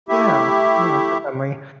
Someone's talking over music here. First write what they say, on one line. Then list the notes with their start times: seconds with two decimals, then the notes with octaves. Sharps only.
Yeah, yeah, definitely.
0.09 A3 E4 G4 E5